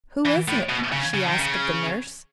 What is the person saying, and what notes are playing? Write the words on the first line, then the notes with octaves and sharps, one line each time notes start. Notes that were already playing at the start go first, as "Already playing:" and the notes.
"Who is it?" she asked of the nurse.
E3
A2
B2
C#3
C#3
D#3
C#3